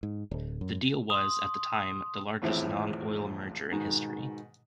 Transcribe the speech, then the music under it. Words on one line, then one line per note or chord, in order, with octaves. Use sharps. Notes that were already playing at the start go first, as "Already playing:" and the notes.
The deal was, at the time, the largest non-oil merger in history.
G#2
D1
F#2
C6 D#6
G#1 E2 A2 F3 C4 E4
G#2 B2 D#3